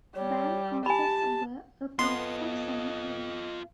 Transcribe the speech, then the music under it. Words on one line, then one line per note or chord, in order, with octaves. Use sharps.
Band concerts were a frequent summer event.
G3 C#5
G4 G#5 A5 B5
B3 F4 A4 D#5 C6